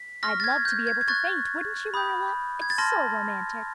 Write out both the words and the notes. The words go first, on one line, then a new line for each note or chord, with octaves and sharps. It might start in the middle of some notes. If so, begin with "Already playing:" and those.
I'd love to be able to faint, wouldn't you, Marilla? It's so romantic.
Already playing: B6
C#6 F6 A#6
A6
G#6
G6
G#6
G#6
C#6 F#6 A6
B5 D#6 G6
G#6
A6
A5 C6 F6 A#6